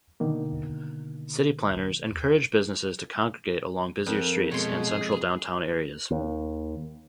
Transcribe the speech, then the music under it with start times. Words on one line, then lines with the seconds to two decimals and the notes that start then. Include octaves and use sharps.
City planners encourage businesses to congregate along busier streets and central downtown areas.
0.20 B2 D3 D#3 A#3
4.06 F2 A#4
4.51 B2 G#3 C#5 C6
4.88 G#4
6.11 D#2